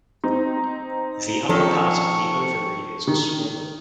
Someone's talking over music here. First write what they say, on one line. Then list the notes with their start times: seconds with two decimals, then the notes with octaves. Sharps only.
The upper part of the ovary is swollen.
0.24 C4 D#4
1.49 D#3 F3 C#4 A4 C#6
3.07 D#3